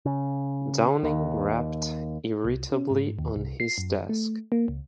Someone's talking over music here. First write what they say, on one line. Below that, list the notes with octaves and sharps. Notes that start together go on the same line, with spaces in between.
Downing rapped irritably on his desk.
C#3
D#2
C2
C#4
G#2
D#2
C2
C7
F#2
A3
A#3
C#2